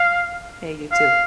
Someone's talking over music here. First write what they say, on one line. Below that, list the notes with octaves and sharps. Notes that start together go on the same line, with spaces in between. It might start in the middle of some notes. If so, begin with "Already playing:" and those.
Hey, you too.
Already playing: F5
F5